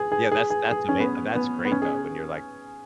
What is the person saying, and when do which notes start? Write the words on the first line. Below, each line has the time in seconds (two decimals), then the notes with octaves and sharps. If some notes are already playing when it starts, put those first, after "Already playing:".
Yeah. That's that's ama uh, that's great, though, when you're, like,
Already playing: G#4
0.12 G#4
0.32 G#4
0.50 G#4
0.71 G#4
0.89 C#4
1.00 B3
1.35 B3
1.65 B3
1.72 C#4
1.82 G#4